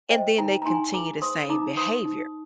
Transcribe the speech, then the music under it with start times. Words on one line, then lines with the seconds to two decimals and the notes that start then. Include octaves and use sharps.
and then they continue the same behavior.
0.10 C5 D#5 G5
0.38 D#4 G5 A#5
0.62 A#5
0.66 D#4 G#5 C6
0.94 G#4 A#5 D6
1.22 C5 C6 D#6
1.49 D#4 A#5 D6
1.77 C5 C6 D#6
2.05 D#4